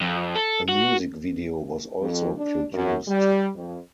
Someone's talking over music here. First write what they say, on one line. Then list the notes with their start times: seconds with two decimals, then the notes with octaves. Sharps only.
A music video was also produced.
0.01 F2
0.35 A4
0.69 F#4
2.00 F2
2.36 D4
2.73 F#2
3.07 G3
3.55 F2